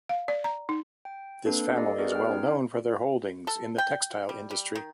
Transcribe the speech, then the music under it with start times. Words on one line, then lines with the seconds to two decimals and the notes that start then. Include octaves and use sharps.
This family is well known for their holdings in the textile industry.
0.09 F5
0.28 D5
0.44 A#5
0.69 D#4
1.05 G5
1.46 A#3 C4 D4 A4 B4
1.76 G4 A4 D5 D#5 F5
1.98 B3 F#4 G#4 A#4 B4 D5
2.12 G5 F6
2.29 C#4 D#4
3.47 A4
3.78 G5
4.29 G3
4.51 G3
4.75 D#3